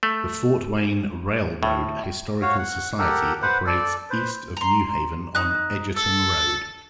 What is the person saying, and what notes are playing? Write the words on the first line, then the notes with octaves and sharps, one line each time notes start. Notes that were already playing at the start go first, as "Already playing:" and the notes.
The Fort Wayne Railroad Historical Society operates east of New Haven on Edgerton Road.
A3
A2
F#4 C#5 F5
F#5
G4 A4 A#4 F#5
B4 C5 F#5
A4 D5
B4 C5
A#5 C6
D#4 F#6
A4 E6